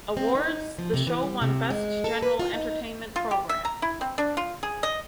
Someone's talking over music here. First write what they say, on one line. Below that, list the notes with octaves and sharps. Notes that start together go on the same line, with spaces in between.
Awards, the show won "Best General Entertainment Program".
C4
D#4
F3
C3
E3
G3
C3
G#3
A4
B4
F4
D#4
F4
G4
E5
A#5
E4
C4
D4
F4
G#4
D#5